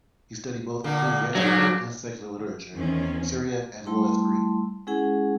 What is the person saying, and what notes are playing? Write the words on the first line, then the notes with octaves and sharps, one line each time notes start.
He studied both ecclesiastical and secular literature, Syriac as well as Greek.
A#2 D3 A#3
G2 A#2 F#3 D4
E2 D#3 C4 C#4
G3 A3 E4 A5 C6
G#3 C#4 E4 G#4 F#5 G#5